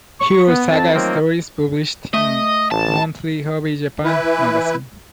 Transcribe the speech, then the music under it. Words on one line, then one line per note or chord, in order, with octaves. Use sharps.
Hero Saga stories published in "Monthly Hobby Japan" magazine.
C#6
B3
F2 C4 A5
D#3 F3 F#3 A3 A#3 C4
A3 D#5 E5
A1 A5
E3 E4 B4